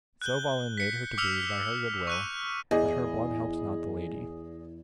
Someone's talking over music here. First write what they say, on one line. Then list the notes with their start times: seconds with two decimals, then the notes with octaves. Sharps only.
And so Balin made her to bleed by her good will, but her blood helped not the lady.
0.22 F#6 G6 G7
0.78 B6 C#7
1.18 D6 E6 F6 C#7 F7
2.07 C#6 F#6 D#7
2.71 E2 G#4 D#5